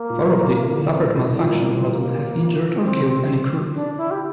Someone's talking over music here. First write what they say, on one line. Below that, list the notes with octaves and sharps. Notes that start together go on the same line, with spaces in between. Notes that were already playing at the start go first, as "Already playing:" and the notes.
Four of these suffered malfunctions that would have injured or killed any crew.
Already playing: A#3
A#2
F3
E3
F3
E3
D3
C3
A#2
A2
A2
F3
G3 A#3
A#3
C4
A#3
F3
E3
E3
D3 C4
C4
D4
E4
G4